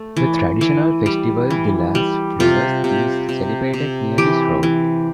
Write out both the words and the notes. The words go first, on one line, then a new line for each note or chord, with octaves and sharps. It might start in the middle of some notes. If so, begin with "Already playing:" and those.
The traditional "Festival de las Flores" is celebrated near this road.
Already playing: A3
E3
E3
G3
E3
G3
C3 F4
C3
C3
C3
E3 G4
E3